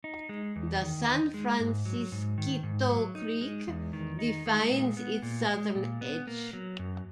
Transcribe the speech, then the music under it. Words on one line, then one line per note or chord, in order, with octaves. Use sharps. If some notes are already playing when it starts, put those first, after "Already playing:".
The San Francisquito Creek defines its southern edge.
D#4
G#3
E2
D#3
D#4
G#3
G#2
F#3
G#2
D#3
G#2
F#3
D#4
G#3
E2
D#3
D#4
G#3
A#2
B3
A#2
G#3
A#2
B3
A#3
F#3
F#2